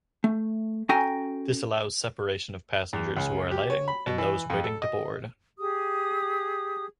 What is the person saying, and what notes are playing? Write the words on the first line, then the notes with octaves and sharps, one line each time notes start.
This allows separation of passengers who are alighting and those waiting to board.
A3
C#4 F#4 A4 G5 G#5 A#5
E2
C#2
G4
C#5
B5
B2
E3
F2
A4
D#5
G4 G#4 D#6